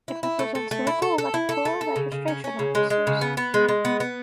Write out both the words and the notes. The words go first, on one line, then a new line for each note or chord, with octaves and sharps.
It represents local electoral registration officers.
E4
E4
A3
A3
A3
E4
A4
A4
E4
A4
A3
A4
C#3
C#3
C#4
C#4
C#3
G#3
G#3
C#3
B3
B3
G#3
G#3
B3
B3